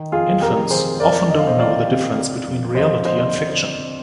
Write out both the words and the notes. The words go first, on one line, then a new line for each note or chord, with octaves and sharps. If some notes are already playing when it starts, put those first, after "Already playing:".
Infants often don’t know the difference between reality and fiction.
Already playing: D#3
F2 F4 G#4
F2 G4 A#4
D#3 G#4 C5
F2 A#4 D5
F2 D#5
F5
C5 D#5
D#3 D5 F5
C3
D3
F2
F2 C5 D#5
D3 C5 D#5